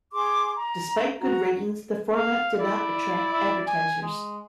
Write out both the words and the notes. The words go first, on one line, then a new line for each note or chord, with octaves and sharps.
Despite good ratings, the format did not attract advertisers.
G#4 C6 D6
A#5
F#4 A#5
F5
E4 D5
E4
G#5
G#3